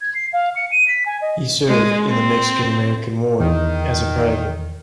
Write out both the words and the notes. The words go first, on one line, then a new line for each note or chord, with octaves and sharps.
He served in the Mexican-American War as a private.
G#6
C7
F5
C#7
D#7
B6
G#5
D#5
G#3
C4
E2 D#3